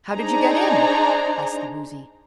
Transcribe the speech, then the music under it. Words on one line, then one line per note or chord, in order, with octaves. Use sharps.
"How did you get in?" asked the Woozy.
D4 D#4 G#4 C5 A#5